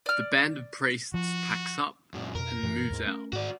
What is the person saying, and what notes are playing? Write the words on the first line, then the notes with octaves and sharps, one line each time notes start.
The band of priests packs up and moves out.
D5 F6
F3 F#4
F#2 A#2
F2 B2 A#4
F#2 A#2 E3
D#2 G#2
A3 C#4
G#2 F#4 D5